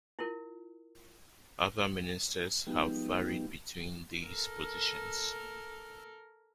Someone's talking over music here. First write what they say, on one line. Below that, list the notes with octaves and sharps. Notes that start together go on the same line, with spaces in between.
Other Ministers have varied between these positions.
E4 F4 A#4
F3 G3 G#3 B3 D#4 G4
A4 A#4